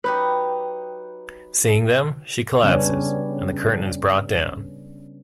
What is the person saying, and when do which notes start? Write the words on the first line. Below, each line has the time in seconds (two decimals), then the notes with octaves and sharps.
Seeing them, she collapses, and the curtain is brought down.
0.04 F#3 D#4 G4 B4
2.63 C#3 G3 B3 C#4 D4